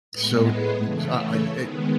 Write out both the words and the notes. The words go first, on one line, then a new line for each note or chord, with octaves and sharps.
So n I e eh
A2 G#3 B3 B4 D#5
G#4 B4
C#3 E3 A3
A4 C#5
D#3 G#3 B3